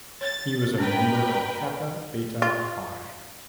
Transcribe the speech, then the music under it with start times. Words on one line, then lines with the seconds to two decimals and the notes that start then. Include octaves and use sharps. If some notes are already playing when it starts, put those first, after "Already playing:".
He was a member of Kappa Beta Phi.
0.21 C#5 A6
0.78 C#4 D4 A#4 B4 G5
2.42 F4